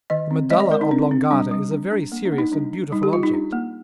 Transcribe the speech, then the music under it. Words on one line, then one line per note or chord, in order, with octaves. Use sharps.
The medulla oblongata is a very serious and beautiful object.
D#3 D#5
C4
G#3 D#5
D5
G#3 A#4
D#4
C4 D4
C4
G3 D4
G3
D4
D4
A#3
D4
A#3
D#4
G3 D4
D4
G3 D#4
G4
G3 F4
D#4
D4
A#3